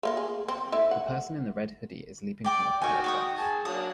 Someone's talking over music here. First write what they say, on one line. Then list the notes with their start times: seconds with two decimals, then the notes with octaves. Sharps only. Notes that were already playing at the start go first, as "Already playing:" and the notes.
The person in the red hoodie is leaping from the pile of rocks.
0.03 A3 A#3 F4
0.17 G#4
0.48 C4
0.72 A3 E4 E5
0.91 F#5
2.44 D5 G5 D6
2.82 D#3 F#4 G5 G#5 C#6
3.04 D5 C#6 D#6
3.38 G#4 A5
3.65 F#3 A#3 D4 D#6